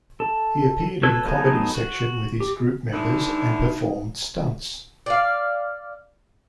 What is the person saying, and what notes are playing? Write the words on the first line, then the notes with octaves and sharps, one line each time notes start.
He appeared in comedy section with his group members and performed stunts.
A4
A4 B4 C#5 E6
F#3 B3 D#4 A4 G#5
F#4
G4
A2 D3 E3 D#4
D5 F5